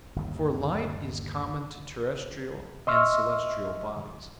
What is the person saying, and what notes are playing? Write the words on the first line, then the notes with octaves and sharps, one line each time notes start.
For light is common to terrestrial and celestial bodies.
G1 D#2
D#5 E5 C6 C#6 E6 F6